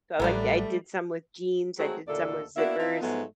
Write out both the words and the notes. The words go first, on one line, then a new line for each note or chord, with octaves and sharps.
So, I like I did some with jeans, I did some with zippers.
A1 F#3 G3 A3 B3 D4
F#3 G#3 A3 C4 F#4 G#4
D#2 A#2 D3 A3 A4 D5
A#3 B3 D4 E4 F#4 E5
F3 C4 D#4 F4 E5
G#2 F3 F#3 A3 B3